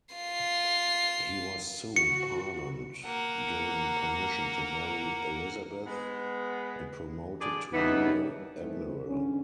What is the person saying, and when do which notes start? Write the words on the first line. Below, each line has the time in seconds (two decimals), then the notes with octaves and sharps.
He was soon pardoned, given permission to marry Elizabeth, and promoted to Rear Admiral.
0.15 F4 C7
1.96 F#4 C#7
3.05 A#3 F#5
5.86 G#3 B3
7.41 D3 G#4 D5
7.74 F2 C#3 E3 G3 B3 D#4
8.59 D#3 E3 G3 A3 B3 C4
9.06 E2 G#2 D3 C#4